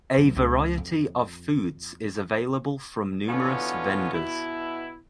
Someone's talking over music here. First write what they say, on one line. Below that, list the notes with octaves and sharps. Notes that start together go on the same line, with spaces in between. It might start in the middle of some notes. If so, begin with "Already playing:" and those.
A variety of foods is available from numerous vendors.
B1 C#4
C#2
F2
B2 D3 E3 B3 C#4 F4
B2 E4